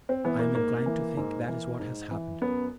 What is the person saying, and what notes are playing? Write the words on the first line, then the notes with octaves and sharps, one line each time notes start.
I am inclined to think that is what has happened.
C4
E3 B3
A#3
G#2 A#3
E3
G#2
E3
G#2
E3
F#2 B3